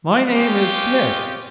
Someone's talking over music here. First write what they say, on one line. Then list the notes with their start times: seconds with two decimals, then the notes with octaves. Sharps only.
"My name is Smith."
0.35 G#3 C#4 F4 G4